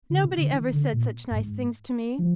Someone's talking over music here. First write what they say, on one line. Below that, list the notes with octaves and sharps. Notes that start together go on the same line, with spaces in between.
Nobody ever said such nice things to me.
D3
C3
D3
D#3
D3
A#2
G2
G#2
F3